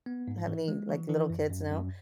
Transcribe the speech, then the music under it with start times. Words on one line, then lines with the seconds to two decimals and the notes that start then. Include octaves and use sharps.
have any, like, little kids now,
0.06 B3
0.28 G#2
0.47 E3
0.68 G#3
0.89 E3
1.09 E3
1.30 F#2
1.50 F#2
1.71 F#2